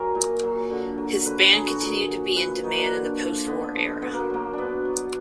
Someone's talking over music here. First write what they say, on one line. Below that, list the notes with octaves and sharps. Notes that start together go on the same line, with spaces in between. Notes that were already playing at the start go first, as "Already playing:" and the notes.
His band continued to be in demand in the postwar era.
Already playing: F#3 G#4 A#4 D5
A#2
F#3
D3
F#3
D3 B4
B4
F#3 G#4
F#4
A#2 G#4
F#3
A#2 B4
B4
F#3 D#4
D4
D3
F3
D3 B3
F3
B2 B3
A#3
F#3 A#3
B2 B3 D4
F#3